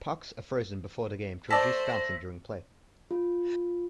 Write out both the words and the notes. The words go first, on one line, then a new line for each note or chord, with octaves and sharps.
Pucks are frozen before the game to reduce bouncing during play.
A3 C5 D5 A5 E6 A#6 B6
F4